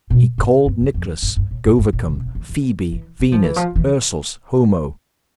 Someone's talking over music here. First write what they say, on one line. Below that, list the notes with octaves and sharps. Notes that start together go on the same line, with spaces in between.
He called Nicless, Govicum, Fibi, Vinos, Ursus, Homo.
B2
G#2
G2
F#2
F2
G2
G2
A2
G2
G2
A2
A#2
C3
C#3
D#3
E3
E3
F#3
F3
E3
F3
E3